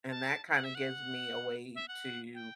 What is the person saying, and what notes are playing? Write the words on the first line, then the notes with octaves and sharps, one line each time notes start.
and that kinda gives me a way to,
A5
F#5
E5
F#5
E5
F#5
G5